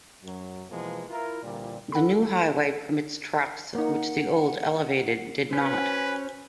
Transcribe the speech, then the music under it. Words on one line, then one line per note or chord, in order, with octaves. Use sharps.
The new highway permits trucks, which the old elevated did not.
F#2 F#3
B2 E3 F3 G#3 A#3 B3
E4 F4 A#4
A#2 D3 E3 F3 G3
A4 F#5 B5
A#3 D#4 F#5
C#4 F#4 B4 C5 G#5